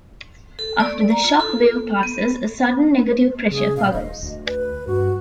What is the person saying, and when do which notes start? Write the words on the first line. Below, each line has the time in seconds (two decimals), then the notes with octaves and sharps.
After the shock wave passes, a sudden negative pressure follows.
0.59 A4
0.80 D5
1.10 A#5
1.24 F4
1.40 A4
2.03 B3
3.51 C#3 G#4
3.77 A#2 F5
3.94 D#1 D#5
4.23 D2
4.47 B4
4.87 G2 F#4